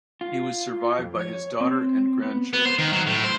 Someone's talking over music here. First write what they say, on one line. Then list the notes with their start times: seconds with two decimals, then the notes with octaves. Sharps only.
He was survived by his daughter and grandchildren.
0.21 F4
0.99 F2
1.21 C#5
1.61 C4
2.22 B3
2.54 B3
2.65 C5
2.78 D#3
2.93 F#3
3.07 A2
3.24 C5